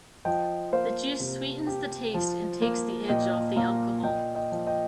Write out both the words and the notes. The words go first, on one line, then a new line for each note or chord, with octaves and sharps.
The juice sweetens the taste and takes the edge off the alcohol.
F3 D#5 G5
A#3 C5 F5
C3
G4
F3
A#3
A#2 D#5 G5
A#2 F5 A#5
A#2 D#5 G5
D#5 G5
F3
D#5 G5